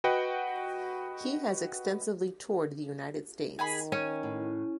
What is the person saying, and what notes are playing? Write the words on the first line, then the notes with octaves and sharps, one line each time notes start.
He has extensively toured the United States.
F#4 B4 D#5 F#5 G5
D#3 G#4 G#5 B5
C#4 G#5
A2